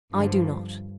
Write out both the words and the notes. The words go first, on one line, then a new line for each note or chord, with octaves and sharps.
I do not.
G2 D3 F3